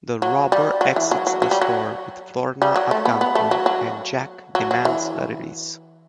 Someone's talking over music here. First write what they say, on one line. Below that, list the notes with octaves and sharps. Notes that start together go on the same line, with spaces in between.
The robber exits the store with Florna at gunpoint and Jack demands her release.
F#3
G3
F#3
E3
F#3
F#3
F#3
G3
F#3
G3
F#3
A3
B3
B3
A3
F#3
F#3
F#3
F#3
E3